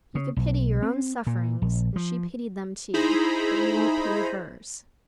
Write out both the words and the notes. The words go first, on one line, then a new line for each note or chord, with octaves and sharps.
You could pity your own sufferings; and she pitied them, too; but you won't pity hers!
C#3
B1
C4
A#2
A#1
F3
D#4 E4 G#4 C5 A#5 B5